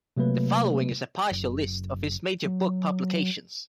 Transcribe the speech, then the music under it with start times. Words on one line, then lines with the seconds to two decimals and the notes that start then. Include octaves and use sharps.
The following is a partial list of his major book publications.
0.17 C3 F#3 A3 A#3 B4
1.31 F#1
2.45 F#3